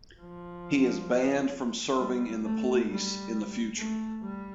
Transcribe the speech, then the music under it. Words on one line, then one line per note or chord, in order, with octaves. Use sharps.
He is banned from serving in the police in the future.
F3
G3
A3
G3
A3
G3